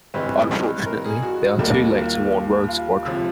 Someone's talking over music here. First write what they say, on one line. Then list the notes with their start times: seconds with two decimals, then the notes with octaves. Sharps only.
Unfortunately, they are too late to warn Rogue Squadron.
0.14 G2 E3 G#3 C4 B4
0.86 A#4
1.05 G#4
1.23 F#4
1.59 D#2 D#3 G3 A#3
1.84 F#4
1.96 F4
2.68 F4
3.05 C#2 C3 F3